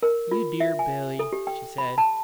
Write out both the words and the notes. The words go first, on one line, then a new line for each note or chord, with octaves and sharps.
"You dear Billy," she said.
A#4
F4
E5
G#5
A4
G4
G5
B5
A5